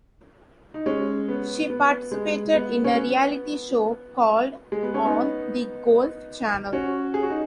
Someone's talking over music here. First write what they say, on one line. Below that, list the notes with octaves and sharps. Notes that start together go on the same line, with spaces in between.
She participated in a reality show called on the Golf Channel.
D#4
G#3 C#4
B3
B3
G#3
B3
C#4
B3
G#3
B3
C#4
B3 D#4
C#4 F#4
G#4
F#4
D#4